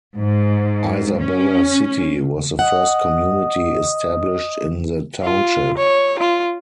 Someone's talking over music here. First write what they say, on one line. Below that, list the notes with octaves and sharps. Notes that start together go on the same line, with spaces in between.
Isabella City - was the first community established in the township.
G#2
C#4
D#5 F#5
F4
C#5
F4